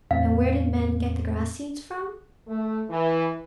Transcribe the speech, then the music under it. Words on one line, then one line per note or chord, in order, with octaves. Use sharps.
And where did men get the grass seeds from?
E2 A2 C4 F5
A3
E3